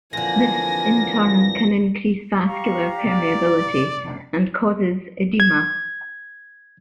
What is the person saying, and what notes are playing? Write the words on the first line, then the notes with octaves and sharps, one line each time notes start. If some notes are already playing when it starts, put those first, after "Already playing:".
This in turn can increase vascular permeability and causes edema.
F2 D3 E3 F3 A#3 G#5 A#6
G4 F5 A#5 C#6
D5
G#6